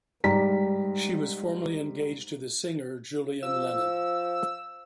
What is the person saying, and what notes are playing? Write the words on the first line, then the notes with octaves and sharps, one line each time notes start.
She was formerly engaged to the singer Julian Lennon.
G#2 G3 D5 A#5 B6
F3 E6